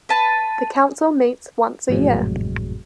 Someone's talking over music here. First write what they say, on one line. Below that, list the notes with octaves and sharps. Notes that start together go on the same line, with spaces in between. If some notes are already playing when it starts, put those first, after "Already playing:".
The Council meets once a year.
B4 A5
G#1 F2 A2 C3 F#3 G#3